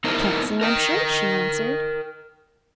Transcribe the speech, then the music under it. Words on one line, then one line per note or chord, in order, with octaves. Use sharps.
"Can't say, I'm sure," she answered.
B3 D#4 E4 A#4 C5 D#5
A#4 D#5 G5